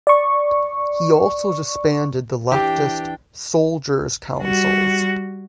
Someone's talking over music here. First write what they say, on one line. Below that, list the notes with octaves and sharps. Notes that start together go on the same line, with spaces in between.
He also disbanded the leftist "soldiers' councils".
D5 C#6
E3 D4 G4 G5
G3 F#4